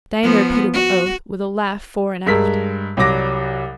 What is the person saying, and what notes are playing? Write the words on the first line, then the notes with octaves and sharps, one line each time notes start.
Diana repeated the "oath" with a laugh fore and aft.
F3 B3
F#4
G2 G#3 A#4 E6 B6
C2 F#3 G3 D6 A#6